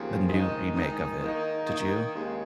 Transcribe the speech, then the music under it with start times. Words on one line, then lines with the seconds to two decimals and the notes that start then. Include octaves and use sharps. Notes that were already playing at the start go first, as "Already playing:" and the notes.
the new remake of it. Did you?
Already playing: D#2 C#3 F3
0.28 D#3 G#3 D#4
0.74 D#3 G#3 D#4
1.21 D#3 A#3 D#4
1.67 D#3 A#3 D#4
2.12 D#2 C#3 G#3